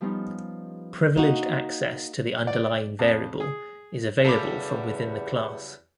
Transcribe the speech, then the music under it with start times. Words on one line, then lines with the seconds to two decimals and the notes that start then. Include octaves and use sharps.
Privileged access to the underlying variable is available from within the class.
0.01 F3 G3 B3 C#4 D#4 F4
1.16 A#3 D#4 F#4
2.47 D5
2.99 F2
3.40 G#4
4.24 E2 C#3 F#3 G3 A4 B5 D6